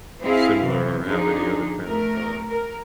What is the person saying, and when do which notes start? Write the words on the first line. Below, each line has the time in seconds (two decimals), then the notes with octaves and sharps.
similar, or have any other kind of, uh,
0.21 C4 E4 G#4 F5
0.63 C3 E3 F#3
1.05 D3 F3 D4 D#4 G#4
1.85 A3 A#4
2.50 A#4